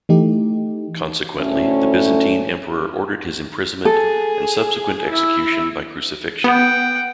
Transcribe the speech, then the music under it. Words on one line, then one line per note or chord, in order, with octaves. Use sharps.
Consequently, the Byzantine emperor ordered his imprisonment and subsequent execution by crucifixion.
E3 A3 D#4 G4
D2 A2 A3 C#4
G#4 A4
E4 E5
B3 F#5 G5